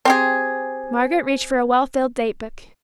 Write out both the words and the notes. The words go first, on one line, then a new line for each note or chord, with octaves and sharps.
Margaret reached for a well-filled date-book.
C4 G4 G#4